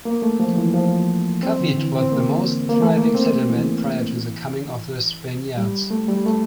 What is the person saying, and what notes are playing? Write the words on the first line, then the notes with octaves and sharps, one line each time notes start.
Kawit was the most thriving settlement prior to the coming of the Spaniards.
A#3
A3
F3
E3
F3
C4
D3
E3
C4
A#3
A#3
A3
A#3
C4
E3
G3
A3
G3
A3